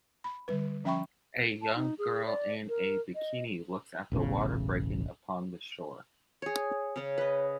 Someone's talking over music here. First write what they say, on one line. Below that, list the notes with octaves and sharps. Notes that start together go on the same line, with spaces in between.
A young girl in a bikini looks at the water breaking upon the shore.
B5
D3 G3 B4
F3 C#4 E5 G5 B5 C#6
A5
D#4
G#4
D5
A#4
D#5
E1 A1 E2 C#3
G#4 C#5
C#3 C#4
B4 D#5